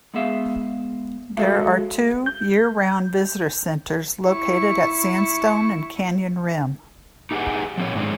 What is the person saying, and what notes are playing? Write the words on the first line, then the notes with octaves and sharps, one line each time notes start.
There are two year-round visitor centers located at Sandstone and Canyon Rim.
G#3 B3 G#4 E5 F5
G#3 F#4 A4 E5 F5
G6
E4 C#6
D#4 G4 G#4 B4 F#5
F3 C4 C#5
G#2 D#3 G#3 D4 D#4 C5